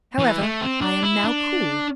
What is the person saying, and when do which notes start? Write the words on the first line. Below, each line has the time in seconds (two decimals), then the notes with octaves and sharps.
However, I am now cool.
0.19 E3
0.41 A3
0.61 C4
0.81 D4
1.03 E4
1.24 D4